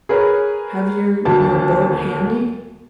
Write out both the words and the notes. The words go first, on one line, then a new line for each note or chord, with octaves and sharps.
"Have you your boat handy?"
G#4 A#4 B4 C#5
D#1 D2 F#3 A5